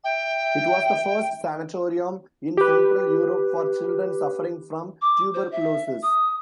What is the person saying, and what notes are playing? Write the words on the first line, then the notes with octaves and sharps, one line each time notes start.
It was the first sanatorium in Central Europe for children suffering from tuberculosis.
E5 G5
G4 B4
D6
C5
E5
D#6